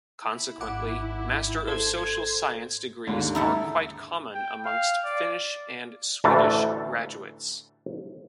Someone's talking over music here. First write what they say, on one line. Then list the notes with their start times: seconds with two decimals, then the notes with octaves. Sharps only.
Consequently, Master of Social Science degrees are quite common amongst Finnish and Swedish graduates.
0.24 E4
0.61 G#1 E4 F#5 D6
1.68 A4 C5 G#6
3.07 D#2 G#2 D3
3.35 D#4 E4 A4
4.34 G5
4.65 F5
5.04 D5
6.24 A1 D2 E3 A3 F5 A5